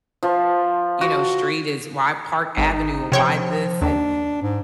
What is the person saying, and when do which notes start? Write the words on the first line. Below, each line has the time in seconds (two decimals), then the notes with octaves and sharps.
you know, street is why Park Avenue, or why this?" and,
0.23 F3
1.01 F#4
2.57 G#1 D#4
3.12 C3 F3 C#5 G5
3.81 D#2 D4
4.42 G#2